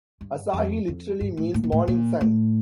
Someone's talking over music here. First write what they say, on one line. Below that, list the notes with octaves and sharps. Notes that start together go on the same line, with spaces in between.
Asahi literally means "morning sun".
G2
F2
F2
G2
A2
A2
A#2
A2
A#2
A2